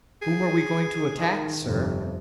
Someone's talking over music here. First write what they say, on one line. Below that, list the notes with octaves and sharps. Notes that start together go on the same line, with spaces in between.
"Whom are we going to attack, sir?"
G#4
D#3
G1 F2 C3